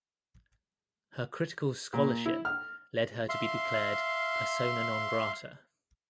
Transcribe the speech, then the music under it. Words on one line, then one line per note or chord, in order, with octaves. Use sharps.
Her critical scholarship led her to be declared "persona non grata".
A#2
E4
F6
E5 F5 C6